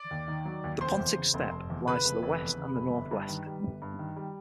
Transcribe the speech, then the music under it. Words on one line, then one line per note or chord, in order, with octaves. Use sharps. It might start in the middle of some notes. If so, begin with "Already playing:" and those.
The Pontic Steppe lies to the west and northwest.
Already playing: D5 D6
D#2
D#3
F#3
D#2
F1 C5 C6
E2
C#3
F1
F1
E2
C#3 B4 B5
F1
F1
E2
C#3
F1
G1
G2
D#3
G3
G1
G2
D#3
G3